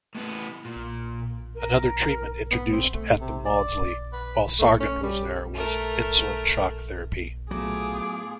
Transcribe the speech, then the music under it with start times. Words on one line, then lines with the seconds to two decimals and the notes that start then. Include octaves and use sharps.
Another treatment introduced at the Maudsley while Sargant was there was insulin shock therapy.
0.15 A2 B3
0.65 A#2
1.55 A#4
2.51 B3
2.73 C4
2.93 A3
3.20 C3
3.46 D5
4.13 B4
4.59 A3
4.80 C#4
5.03 G3
5.54 A3 A#4
7.51 A2 F#3 A3 B3 F4 G#4 D6